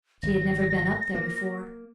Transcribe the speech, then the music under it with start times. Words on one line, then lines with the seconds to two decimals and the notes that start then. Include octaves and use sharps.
She had never been up there before.
0.23 G#1 A#6
1.15 A#3